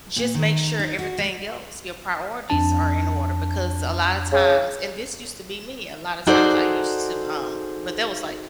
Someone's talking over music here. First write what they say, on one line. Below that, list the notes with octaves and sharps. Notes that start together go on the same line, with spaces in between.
just make sure everything else, your priorities are in order because a lotta times and this used to be me, a lotta times I used to, um but that was, like,
A#2
D#3
D#4
F#4
G#3
F2 D4 A5
C#3
D#4 F#4 G#4 A4 C5 D5